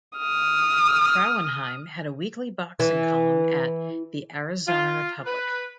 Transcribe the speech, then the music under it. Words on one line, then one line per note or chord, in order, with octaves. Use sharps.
Frauenheim had a weekly boxing column at "The Arizona Republic".
D#6 F6
E3
F4
B4